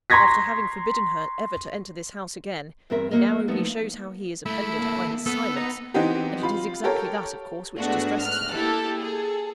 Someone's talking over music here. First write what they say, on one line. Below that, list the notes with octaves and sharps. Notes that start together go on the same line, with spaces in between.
After having forbidden her ever to enter this house again, he now only shows how he is offended, by his silence; and it is exactly that, of course, which distresses her.
A#5 C6 C#6 G#6 A#6 B6
E2 G2 C4 A#4 E5
F#3 A#3 D#5
F3 A3 B3 D#4
A3 E4
A#3 A4
B3 A4
D#4
E3 B3 C4 D#4 G4
F4 B5
G4 A4 A#4 C#5
G#2 G#3 A3 B3 D4 F#4
F6 F#6
A#3 E4 G4 A4
G#4 A4